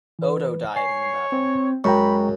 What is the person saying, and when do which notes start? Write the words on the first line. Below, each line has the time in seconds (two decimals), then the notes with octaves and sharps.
Odo died in the battle.
0.19 E3 B4
0.76 C#5 G#5 C7
1.32 C4
1.84 F#2 G#3 G5 A#5 B5 C#6